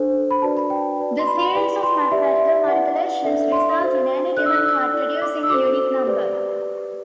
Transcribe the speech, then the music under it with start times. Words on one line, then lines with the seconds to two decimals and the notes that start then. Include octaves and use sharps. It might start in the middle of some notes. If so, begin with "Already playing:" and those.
The series of mathematical manipulations results in any given card producing a unique number.
Already playing: D4 A4 C5
0.31 B5
0.42 D4 F#4 B4 D5 A5
0.57 B5
0.70 G5
0.99 F#4 B4 D5
1.19 C6
1.27 B5
1.41 B5
1.55 E4 B4 D5 B5
1.83 C6
2.12 G4 D5 E5
2.40 E5
2.68 E4 B4 D5 F#5
3.24 D4 A4 D5 E5
3.52 C6
3.81 F#4 C5
4.37 D4 A4 D5 F#6
4.46 E6
4.55 F#6
4.65 E6
4.93 E4 A4 D5
5.22 D6
5.43 E6
5.49 F#4 A4 C5 D6
6.06 G4 B4 D5